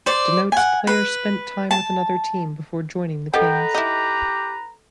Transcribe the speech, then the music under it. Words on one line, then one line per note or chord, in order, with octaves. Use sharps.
Denotes player spent time with another team before joining the Kings.
C5 D5
F#5 G#5
B4
A5
G4 A4 B4 D#5 F#5 G5 A#5
D#4 E4 G4